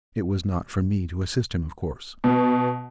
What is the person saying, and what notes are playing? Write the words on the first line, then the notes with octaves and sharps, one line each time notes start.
It was not for me to assist him, of course.
B2